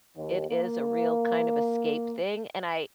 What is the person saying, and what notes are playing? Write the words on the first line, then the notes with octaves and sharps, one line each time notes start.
it is a real kind of escape thing and I
D#2
A#3